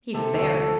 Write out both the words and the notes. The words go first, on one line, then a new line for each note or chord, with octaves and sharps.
"He was there."
C3 A4
D2
F3